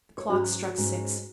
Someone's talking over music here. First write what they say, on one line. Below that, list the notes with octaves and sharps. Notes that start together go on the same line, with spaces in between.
The clock struck six.
C#5
G#2 F#3 C#4 F#4
G#2 G#3 C#4